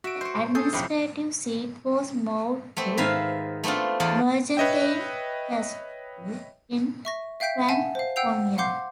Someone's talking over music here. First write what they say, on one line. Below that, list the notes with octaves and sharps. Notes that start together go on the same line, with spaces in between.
The administrative seat was moved to Mergentheim Castle in Franconia.
F#4 E5 D7
C5 C#5
G#4 A4 G6
B1 F2 A2 C3 B5
A3 B3 C4
G#2 D#3 B4 E5 F5
A3 B3 C4 D4 F4
E2 B3 F4 D5 A5
B4 C#5 D#5 E5 G5
E5 C#6 A#6
E5 F5 G5 G6 B6 D7
E5 F#5 G#5 A5
C5 F5
F#5 G5 E6 G6 C7 F7
F5 F#5 C6 D6 G6 C7